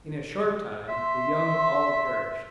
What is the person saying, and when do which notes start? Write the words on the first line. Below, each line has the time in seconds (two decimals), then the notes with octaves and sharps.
In a short time the young all perished.
0.88 E5 C6